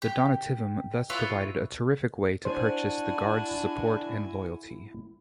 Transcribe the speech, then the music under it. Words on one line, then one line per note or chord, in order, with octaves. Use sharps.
The "donativum" thus provided a terrific way to purchase the Guards' support and loyalty.
G4
E4 F4 B4 C#5
D4 E4 F#4 C5 G#5